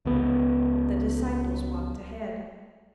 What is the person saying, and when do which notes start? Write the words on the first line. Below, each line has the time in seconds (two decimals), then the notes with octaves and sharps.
The disciples walked ahead.
0.05 C#2 B3